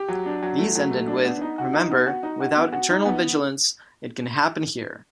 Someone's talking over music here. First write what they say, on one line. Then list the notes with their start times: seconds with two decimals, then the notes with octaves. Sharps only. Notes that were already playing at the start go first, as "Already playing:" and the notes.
These ended with Remember: without eternal vigilance, it can happen here.
Already playing: G4
0.08 F#3
0.26 D4
0.43 F#3
0.59 A3
0.75 F#3
0.91 A3
1.07 D4
1.25 B3
1.41 D#4
1.58 F#4
1.73 D#4
1.90 B3
2.06 F#4
2.23 D#4
2.40 F#4
2.56 B3
2.72 F#4
2.90 D#4
3.05 B3